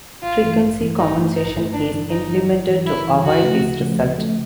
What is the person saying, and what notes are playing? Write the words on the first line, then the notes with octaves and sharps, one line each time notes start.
Frequency compensation is implemented to avoid this result.
A1 F4
G2 E3 A3
A1
G2 E3 A3
A1 D#4
G2 E3 A3
A1 D#4
G2 E3 A3
G1 D4
G2 E3
G1 D#4
G2 E3
G1
G2 E3
G1 E4
E3
G2
D2 F#4
C#3 F3 A3
D2
C#3 F3 A3
D2
C#3 F3 A3